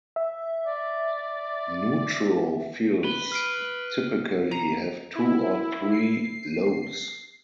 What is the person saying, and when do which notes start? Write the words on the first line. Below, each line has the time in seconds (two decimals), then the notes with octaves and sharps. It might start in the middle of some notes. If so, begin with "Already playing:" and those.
Neutrophils typically have two or three lobes.
0.16 E5
0.66 D5
3.04 B4 G7
3.32 F6 C7 D7
4.51 A#5
5.15 E4
5.91 C7